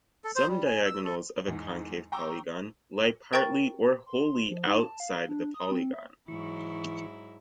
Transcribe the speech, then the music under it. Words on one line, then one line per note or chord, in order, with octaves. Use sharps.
Some diagonals of a concave polygon lie partly or wholly outside the polygon.
A4
C5
G3
G#5
E6
A4
E2 G#2
G5 A#5 C#6 D6 E6
A#4 G5 A#5 C#6 A6
C6
F3
D#4
A5
F5
D4
D#6
C4
E5
G#2 E3 F#3 E4 C#6